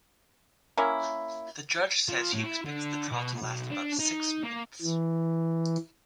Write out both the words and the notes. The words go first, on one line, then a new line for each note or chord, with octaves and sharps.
The judge said he expects the trial to last about six months.
A#3 C#4 E4
F3
A2
E4
D3
B2
B1
D4
D#4
A#3
E3